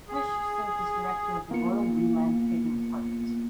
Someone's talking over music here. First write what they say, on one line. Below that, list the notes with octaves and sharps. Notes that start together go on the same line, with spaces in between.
Frisch served as director of the Royal Greenland Trading Department.
G#4
A#3 B3 F4 C#7